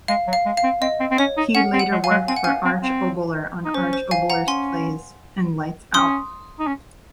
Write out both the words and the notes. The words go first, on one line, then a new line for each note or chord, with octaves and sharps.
He later worked for Arch Oboler on "Arch Oboler's Plays" and "Lights Out".
G#3 F5
F#3
F5
G#3
F5
C4
C4 D#5
C4
C4
C#4 C#5
D#4
C#4 F#5
C4
F#5
G#3
F5 G#5
G#3
C4 G#5
F#5
C#4 F5 G#5
C4
C4
D#4
C#4 C5
C5
F5 G#5
F#5 A#5
C#4 G#5 C6
C#4 C6 D#6
D#4
C#4